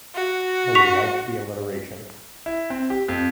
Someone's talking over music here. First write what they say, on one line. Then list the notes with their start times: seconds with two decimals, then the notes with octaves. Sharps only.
We liked the alliteration.
0.15 F#4
0.75 C#6 B6 F7
2.46 E4
2.70 C4
2.90 G4
3.08 F2